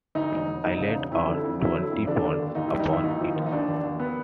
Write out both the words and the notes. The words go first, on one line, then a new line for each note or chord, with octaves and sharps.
I laid out twenty pounds upon it.
D2 D#4
E1
E1
E1 D#4
C#3
E1
F2 E4
D3
F2
F#3 E4
D3
F2
D3 D4
D3
D#2
D#2 D#4
G3 E4
D#4
D#2 E4
D#2 D#4
F3
D#2
D#4
D#2 D4
D#2
D#2
B3